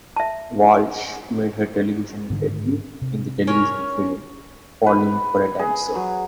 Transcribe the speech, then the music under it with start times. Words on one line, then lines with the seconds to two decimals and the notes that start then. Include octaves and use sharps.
Walsh made her television debut in the television film "Falling for a Dancer".
0.16 E5 A5
2.30 G#2 D3 D#3
3.02 C3
3.47 C#4 A#4 C#5
4.86 B4
5.59 G#4
5.95 F#3